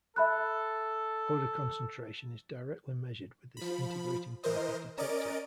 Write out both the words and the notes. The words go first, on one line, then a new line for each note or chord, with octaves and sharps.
Odor concentration is directly measured with this integrating type of detector.
A4 E5 B5 F#6
F3 B5
E3 A#4 C5 D#5
C#4 A#4 D5 D#5 A6 D7